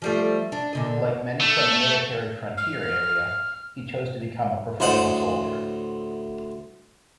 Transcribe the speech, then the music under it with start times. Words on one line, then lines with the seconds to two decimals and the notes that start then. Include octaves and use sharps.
Like many from the Military Frontier area, he chose to become a professional soldier.
0.02 F3 G3 A3
0.52 D4
0.73 A#2 D3 D#5
1.41 A3
2.57 F6
4.80 D2 A2 C5 F#5 D#6